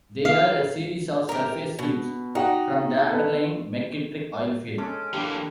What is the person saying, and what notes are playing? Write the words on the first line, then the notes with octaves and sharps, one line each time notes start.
They are a series of surface seeps from the underlying McKittrick Oil Field.
F5
G4 A#4
B2
D#4 F#4 G4 F#5
A4 B4
G#3 C#4 A4 D6
D3 E3 A#3 G4